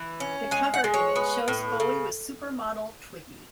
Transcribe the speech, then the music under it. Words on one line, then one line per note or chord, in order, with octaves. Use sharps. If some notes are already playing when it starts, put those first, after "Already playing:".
The cover image shows Bowie with supermodel Twiggy.
Already playing: E3
C#4
G#3 G#5
F#5
G#3
C#5
B3
A2
C#3